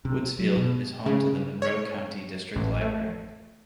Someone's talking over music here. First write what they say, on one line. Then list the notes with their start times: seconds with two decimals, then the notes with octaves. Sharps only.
Woodsfield is home to the Monroe County District Library.
0.05 C3
0.39 F#3
0.57 B2
1.06 C#3
1.62 C#5
2.56 A1
2.81 A3